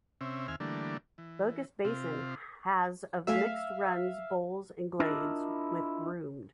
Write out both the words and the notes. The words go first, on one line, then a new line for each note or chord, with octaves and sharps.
Bogus Basin has of mixed runs, bowls, and glades, with groomed.
C3 C4 C#4 E5
D#2 C4 E5 G#5 F6
D3 E3 G3 A3 A#3 D4
E3
C3 C4 F4
F#3 A3 E5 F5 G#5
D4 E4 F4 A#4 D#5